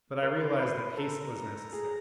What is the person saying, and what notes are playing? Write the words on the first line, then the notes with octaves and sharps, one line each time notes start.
But I realized that haste was necessary.
A#4 C6
B4
B4
B4
A4 A#5
G#4